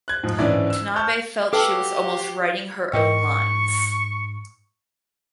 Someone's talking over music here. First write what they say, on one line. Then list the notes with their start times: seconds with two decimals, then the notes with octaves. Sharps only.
Tanabe felt she was almost "writing her own lines".
0.08 F#6 G#6
0.23 G#2 F3
0.39 G#2 D3 E3 C#4 E4 D5
0.70 E6
0.96 A5 C#6 F6 G6
1.53 F#4 G4 A4 B4 F5 G5 D6 E6
2.93 G#2 A#4 D#5 G5 C#6